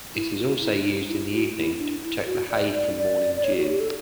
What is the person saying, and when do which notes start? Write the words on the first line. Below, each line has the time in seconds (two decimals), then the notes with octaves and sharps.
It is also used in the evening to protect the hay from morning dew.
0.15 E4
0.38 F#4
0.61 E4
0.86 D4
1.08 E4
1.33 F#4
1.56 E4
1.80 D4
2.03 E4
2.26 F#4
2.50 D5
2.73 D5
2.98 D5
3.36 D5
3.44 C#5
3.56 F#4
3.68 G4
3.80 A4